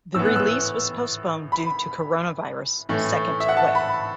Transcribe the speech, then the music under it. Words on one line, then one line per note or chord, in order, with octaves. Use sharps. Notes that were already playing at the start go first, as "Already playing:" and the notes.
The release was postponed due to Coronavirus second wave.
A2 E3 B3 E6
F#6
E6
B5
A2 E3 A3
E5
F#5
A5
B5